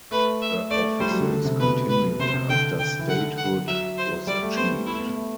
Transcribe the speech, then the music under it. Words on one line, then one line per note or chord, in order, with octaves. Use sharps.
The offices continued after statehood was achieved.
A3 B4
E5
A3 D5
G3 C5
F#3
D3
D3
C3
B2 B4
B4
C3 C5
C3
D3 G5
G5
E3
D3 F#5
F#5
F#3 E5
C5
G3 D5
A3
B3 C5
A3 E4
B3
B3
A3